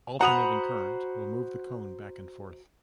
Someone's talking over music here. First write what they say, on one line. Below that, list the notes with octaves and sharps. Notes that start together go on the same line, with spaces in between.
Alternating current will move the cone back and forth.
F#4 C5 F#5 A#5 B5 D#6 F7